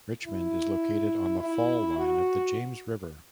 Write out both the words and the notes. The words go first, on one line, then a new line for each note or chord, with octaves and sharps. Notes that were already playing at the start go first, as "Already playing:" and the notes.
Richmond is located on the fall line of the James River.
E4
E4
F#4